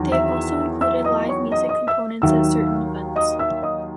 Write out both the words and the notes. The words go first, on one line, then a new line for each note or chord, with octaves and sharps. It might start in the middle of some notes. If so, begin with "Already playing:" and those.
They have also included live music components at certain events.
Already playing: E2 D#3 F#3
E5 E6
E5 E6
D#5 D#6
C#5 C#6
D#5 D#6
D#5 D#6
E5 E6
D#2 D#3 F#3 E5 E6
D#5 D#6
E5 E6
D#5 D#6